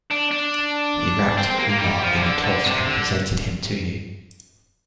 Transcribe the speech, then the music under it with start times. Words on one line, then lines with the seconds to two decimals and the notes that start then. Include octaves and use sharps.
He wrapped Umar in a cloth and presented him to you.
0.11 D4
0.31 D4
1.37 C4
1.50 C4
1.58 A#3
1.69 A#3
1.79 G3
2.01 F3
2.16 C3
2.22 D3
2.44 D3
2.64 C3
2.85 D3